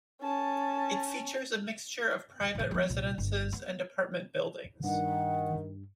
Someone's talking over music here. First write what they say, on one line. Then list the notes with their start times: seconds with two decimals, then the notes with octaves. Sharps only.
It features a mixture of private residences and apartment buildings.
0.22 C#4 A5
2.55 A2 E3
2.71 F3 B3
2.89 C2 A#2
3.18 G1
3.53 B3
4.84 G2 D#3 F#5